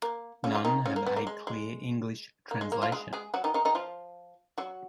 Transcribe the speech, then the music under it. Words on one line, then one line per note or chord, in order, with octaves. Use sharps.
None have a clear English translation.
A#3
C#3 C#4
F4
D#3 D#4
C#3 C#4
A#3
B3
A#3
G#3
G#3
A#3
G#3
A#3
F3 F4
G#3 G#4
G#3 G#4
F#3 F#4
D#3 D#4
D#3 D#4
D#3 D#4
F3 F4
F#3 F#4